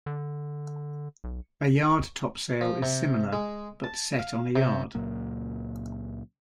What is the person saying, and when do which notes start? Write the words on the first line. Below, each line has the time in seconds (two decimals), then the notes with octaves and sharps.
A yard topsail is similar, but set on a yard.
0.06 D3
1.24 B1
2.61 F3
2.83 C3
3.33 G#3
3.84 A5
4.19 F5
4.56 C3
4.95 C#2 A#2 F#3 A#3